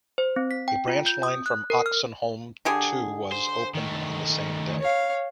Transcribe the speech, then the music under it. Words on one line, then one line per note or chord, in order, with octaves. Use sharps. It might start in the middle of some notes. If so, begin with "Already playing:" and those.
A branch line from Oxenholme to was opened on the same day.
C5
C4
B6
G5
F4
G6
D#6
F#6
A#4
F6
D3 G4 G#4
C5
D#3 A3
C#5 F5